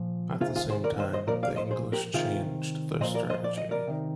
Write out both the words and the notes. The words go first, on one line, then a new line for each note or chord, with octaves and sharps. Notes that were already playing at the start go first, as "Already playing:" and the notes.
At the same time, the English changed their strategy.
Already playing: A#2 F3
C3 D#3 F4 G#4
F4 G#4
G#4 C5
A#4 D5
C5 D#5
C5 D#5
A#2 F3 A#4 D5
D5 F5
C5 D#5
G#4 C5
G4 A#4
C3 D#3 F4 G#4
A#2 F3 C5 D#5
A#4 D5
C5 D#5
D5
D#5
A#4 D5
C3 D#3